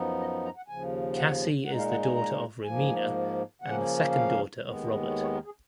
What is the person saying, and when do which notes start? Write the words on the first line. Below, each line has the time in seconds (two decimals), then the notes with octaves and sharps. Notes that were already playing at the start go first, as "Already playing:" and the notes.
Cassie is the daughter of Romina and the second daughter of Robert.
Already playing: F#2 F3 B3 D#4
0.20 D#5
0.45 A#5
0.57 F#5
0.68 D#2 C#3 F3 G#5
1.17 F#5
1.66 A#2 G#3 D#4 F#5
1.78 F5
1.91 F#5
2.03 G#5
2.15 A#5
2.64 G#2 F3 A#3 G#5
3.62 C#3 F3 A#3 C#4 F#5
4.11 F5
4.61 D#2 D#3 G#3 B3
5.10 C#5
5.22 C#5
5.34 A#4
5.45 G#4